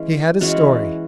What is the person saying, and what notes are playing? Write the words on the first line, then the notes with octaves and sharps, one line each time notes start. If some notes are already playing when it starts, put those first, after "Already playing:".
He had his story.
Already playing: E3 G#3 C#4
E3 G#3 C#4 F#4